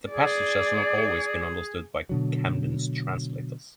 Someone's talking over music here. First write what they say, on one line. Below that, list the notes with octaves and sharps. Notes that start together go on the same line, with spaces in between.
The passage has not always been understood by Camden's translators.
G#4 D5
B2 D3 F#3